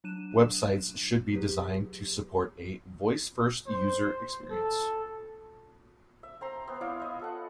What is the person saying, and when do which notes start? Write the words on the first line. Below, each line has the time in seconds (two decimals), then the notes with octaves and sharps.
Websites should be designed to support a voice first user experience.
0.04 F#3 D4 F#6 D#7 E7
1.32 F#3 G4 G#4 B4
3.67 C5
4.51 A4
6.23 E5
6.41 C4 A#5 C6
6.68 B3 C4
6.81 E4 C#5 D5 F5
7.00 D#5 E5
7.20 F4 A4 F#5